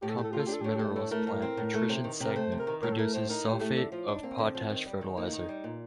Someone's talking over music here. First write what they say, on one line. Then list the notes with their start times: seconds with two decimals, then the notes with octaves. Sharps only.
Compass Minerals' Plant Nutrition Segment produces sulfate of potash fertilizer.
0.02 A2 G4
0.09 A4
0.17 A3 G4
0.24 A4
0.31 F4 G4
0.39 A4
0.47 D4 G4
0.53 A4
0.61 G4
0.64 A2 A4
0.76 A3 G4
0.96 A2 A4
1.11 A3 A#4
1.27 A2 A#4
1.42 C4
1.57 A2
1.74 A3
1.89 C3
2.04 D#3
2.20 C3
2.26 A#4
2.36 A3 C5
2.52 C3
2.59 A#4
2.67 D#3
2.83 A2 A#4
2.93 A4
2.99 A3 A#4
3.14 A2 C5
3.30 D#4 A#4
3.45 A2
3.53 G4
3.60 A3
3.77 D3 A4
3.92 F3 F4
4.08 D4 D#4
4.23 A#3 C4
4.38 D3
4.55 F3
4.70 D#3
4.86 G3
5.01 D#3
5.17 A#3 D#4
5.32 D#3
5.49 G3
5.64 A#2